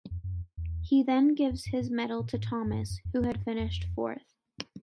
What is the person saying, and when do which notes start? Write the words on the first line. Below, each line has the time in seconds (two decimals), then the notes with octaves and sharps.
He then gives his medal to Thomas, who had finished fourth.
0.11 F2
0.24 F#2
0.34 F2
0.57 E2
1.51 F2
1.66 G2
1.81 A2
2.20 A#2
2.33 G#2
2.43 A2
2.66 G2
2.73 G#2
2.80 G2
2.90 F#2
3.05 F2
3.20 F#2
3.35 G2
3.60 F2